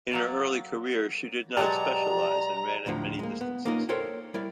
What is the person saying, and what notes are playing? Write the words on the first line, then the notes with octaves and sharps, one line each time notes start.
In her early career, she did not specialise, and ran at many distances.
F#3 A#3 D5
B2 F#3 G#3 G4 D5 A5 A#5
D2 A2 D3 F3
G#3 A#3
B3
A#3 C#4 D#4 F4 A#4
A4 A#4 C5 C#5 G5
G3 E4 A#4 D5